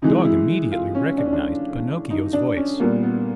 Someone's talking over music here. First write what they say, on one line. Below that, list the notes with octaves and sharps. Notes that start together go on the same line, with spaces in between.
The Dog immediately recognized Pinocchio's voice.
C3 E3 G#3 D#4
E4
F4
C#4
D4
C#4
D4
D#4
D4
C#4
A#2 G3 A#3 B3
B3